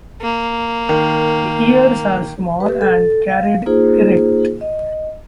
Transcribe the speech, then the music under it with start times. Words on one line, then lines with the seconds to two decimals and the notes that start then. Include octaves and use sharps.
The ears are small and carried erect.
0.21 A#3
0.89 D#3
2.60 G4 B4
2.81 A4
3.29 F5
3.66 A#3 D#4 F4 G#4 C5
4.61 D#5